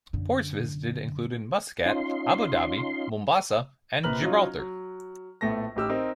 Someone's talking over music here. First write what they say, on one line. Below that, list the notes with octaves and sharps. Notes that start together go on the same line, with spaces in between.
Ports visited included Muscat, Abu Dhabi, Mombasa and Gibraltar.
F#2 D3
C#4 D#4 F4 C6
A#1 A#2 B4 A#5 F6 F#7
F#3 C#4 D#4 F4
F#3
A#1 A2 A3 B3 A4 A#6
A1 D#4 G4 E6 F6
C4 D#4 A#4 A#5